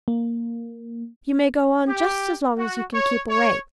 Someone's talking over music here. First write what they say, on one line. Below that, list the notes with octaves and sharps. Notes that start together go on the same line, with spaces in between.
You may go on just as long as you can keep awake.
A#3
G4
F#4
C#5
C#5